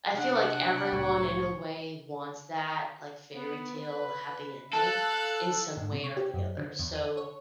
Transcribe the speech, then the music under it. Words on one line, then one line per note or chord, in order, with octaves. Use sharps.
I feel like everyone, in a way, wants that, like, fairytale happy ending, in some way or the other, so,
C3 D4 F#5
C2 A2 G3 C#5
B3
B4
A4 F5 E6 F#6
G#2
C3
C#5
G4
F#2
D3
E2
D#7
C#5